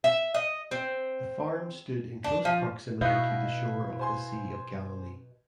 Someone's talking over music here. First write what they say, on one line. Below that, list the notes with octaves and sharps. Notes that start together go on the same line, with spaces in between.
The farm stood in close proximity to the shore of the Sea of Galilee.
E5
D#5
C4
D4
F3
B2 E4 D#5 F5 F#6 G6
C5 G#5 C6